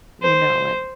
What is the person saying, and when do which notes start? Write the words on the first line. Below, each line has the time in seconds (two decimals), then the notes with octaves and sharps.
you know, and,
0.23 C5